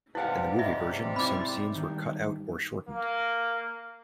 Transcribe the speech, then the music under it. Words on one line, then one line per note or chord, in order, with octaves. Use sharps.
In the movie version, some scenes were cut out or shortened.
G#2 C3 G3 E4 B4 F5 F#5 G#5
F4 D#5 E5
C4 E4 B5 D6
G2 D#3
A#3